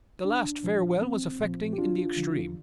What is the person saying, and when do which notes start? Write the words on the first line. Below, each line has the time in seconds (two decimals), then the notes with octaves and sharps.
The last farewell was affecting in the extreme.
0.25 C2 D4
0.63 A#2 F3
1.01 C2 C4
1.39 A#2 F3
1.73 G4
1.78 D#2 D4 F4
2.16 D3 F3